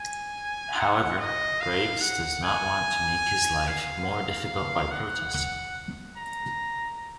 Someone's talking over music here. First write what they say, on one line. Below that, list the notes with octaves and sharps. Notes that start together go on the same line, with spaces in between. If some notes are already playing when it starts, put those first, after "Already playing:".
However, Graves does not want to make his life more difficult by protesting.
Already playing: G#5
F#5
D#5
F5
F#5
G#5
F5
F#5
F#5
A#5